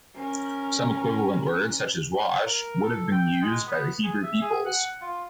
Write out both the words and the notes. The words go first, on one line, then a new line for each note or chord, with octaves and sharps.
Some equivalent word, such as "wash", would have been used by the Hebrew peoples.
C#4 A#4
A#4
A4
G5
G#3
B3
G#4
E5
G#4
F#5
F4